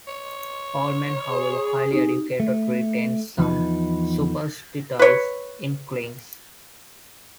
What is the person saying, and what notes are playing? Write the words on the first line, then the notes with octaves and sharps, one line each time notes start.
All men, however highly educated, retain some superstitious inklings.
C#5
G#4
C4 D#4 G4
A3
E2 F3 D#4 B4
B4 C#5